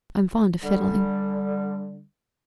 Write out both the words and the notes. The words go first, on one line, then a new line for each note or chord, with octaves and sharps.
I'm fond o' fiddling.
D3 G3